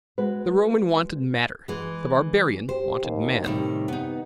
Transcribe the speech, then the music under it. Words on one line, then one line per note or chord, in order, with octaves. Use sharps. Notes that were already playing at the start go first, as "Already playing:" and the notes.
The Roman wanted matter; the Barbarian wanted man.
G#3 F#4 B4
E3 G#3
G4 C5
D#2
A2 C3 D#3 G3
B3 D#4